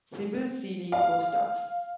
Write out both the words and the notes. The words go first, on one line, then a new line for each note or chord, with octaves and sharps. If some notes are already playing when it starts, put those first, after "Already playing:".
Sybil Seely co-stars.
F5